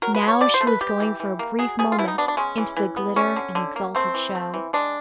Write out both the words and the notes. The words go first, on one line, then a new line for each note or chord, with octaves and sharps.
Now she was going for a brief moment into the glitter and exalted show.
F#3 A#4
B4
B2
C#5
B2 D5
C5
A3
B4
G3 G4
E3
E3
A#3
F#3 G#4
B2 G#4
F4
B2 E4
D#4
B3 D4
D4
G#3 C#4
E3
E3
B3
G3 C#4
D3
D3
A#3
A3 C4
E3
A3
E3
G#3 D4